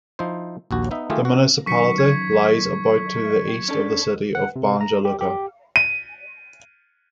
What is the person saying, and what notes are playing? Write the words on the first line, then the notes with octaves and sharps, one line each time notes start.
The municipality lies about to the east of the city of Banja Luka.
F3 D#4 E4 C5
A#1 D#2 F#4
B3 D#4 E5
D#3 A3 E4 F4 G4 G#4
F#4
F#2 D#3 C#6 B6 C#7
G#6
C#4 D4 A4
F#5
C3
A#5
G4
G4
D#7